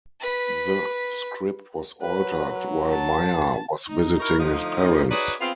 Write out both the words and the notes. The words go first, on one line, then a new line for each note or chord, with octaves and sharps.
The script was altered while Meyer was visiting his parents.
B4 B6
F#3 B4
A5
D#4
D#4 E4 F#4 A#4
D2 F3 D#4
D#4 F#4 G#4 B4 C#5 D5
B3 C4 F4 G#4 F5